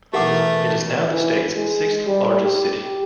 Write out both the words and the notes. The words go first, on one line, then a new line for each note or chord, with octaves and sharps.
It is now the state's sixth-largest city.
B2 E3 A3 G4 A#4 F#5 D6
E3
G#3
G3
G4